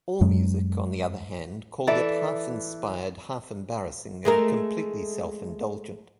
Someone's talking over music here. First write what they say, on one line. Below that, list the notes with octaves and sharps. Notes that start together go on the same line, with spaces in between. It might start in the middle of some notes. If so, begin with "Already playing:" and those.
AllMusic, on the other hand, called it half inspired, half-embarrassing and completely self-indulgent.
F#2 F#3 G#3
E3 A4 D5 E5
G#3 A3 A#4